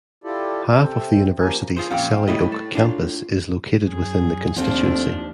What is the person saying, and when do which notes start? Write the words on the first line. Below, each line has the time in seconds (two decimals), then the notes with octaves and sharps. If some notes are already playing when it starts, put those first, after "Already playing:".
Half of the University's Selly Oak campus is located within the constituency.
0.24 E4 F4 G4 A4 D5
0.77 C3 C4 A4 G5
1.41 F3 A#3 C#4 G4 G#5 A#5
1.76 F4 G#4 C5
1.91 F2 A#2 C#4 F5 G5
2.28 A2 G3 E4 D#5
2.52 A4
2.75 D4 F4
3.83 F#2 G#4
4.56 D#2 F3 A3 C4 D4 F4